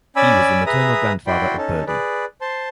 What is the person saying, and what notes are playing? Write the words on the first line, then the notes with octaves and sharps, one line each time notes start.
He was the maternal grandfather of Birdy.
C#4 D5 G#5 B5 D6 E6
G#4 B4 E5 A#5 D#6
E4 F#4 D5 G5 B5 C6
C#4 D#4 A4
G#4 B4 D5
C5 A5 C6